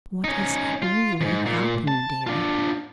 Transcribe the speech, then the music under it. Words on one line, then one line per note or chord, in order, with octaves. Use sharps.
What has really happened, dear?
C#4 D#4
F4
F2 G#2
A#2
A5
D4 F4